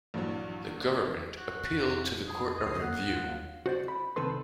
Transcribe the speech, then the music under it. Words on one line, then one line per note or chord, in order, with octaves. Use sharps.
The government appealed to the Court of Review.
A#1 G2 E3 F#3
F#4
F2
G#4
D2 C#5 D#5 C7
A#3 F#5
D#2 F#3 F4
F#4 C5 D5
B5
C2 D#3 C4 A4 B4 C6